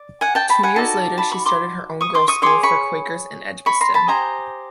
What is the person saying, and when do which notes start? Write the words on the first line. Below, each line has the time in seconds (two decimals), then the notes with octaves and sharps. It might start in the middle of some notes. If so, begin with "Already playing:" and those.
Two years later she started her own girls school for Quakers in Edgbaston.
Already playing: D5
0.21 F#5 G#5
0.35 G5 A5
0.49 A5 B5
0.63 F#5 G#5
0.76 D#4 F#4 A4 D5 A5
1.18 A5 B5
1.31 B5 C#6
1.46 C6 D6
2.01 C#6 D#6
2.14 C6 D6
2.28 C#6 D#6
2.42 G#4 C#5 C6 D6
2.63 B5 C#6
3.66 B5 C#6
3.81 A#5 C6
3.94 A5 B5
4.07 G4 C5 D#5 G#5 A#5